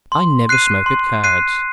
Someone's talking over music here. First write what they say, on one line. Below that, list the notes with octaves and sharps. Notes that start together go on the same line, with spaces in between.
"I never smoke at cards."
C6
F#6 C7 D#7
C6
F#6 C7 D#7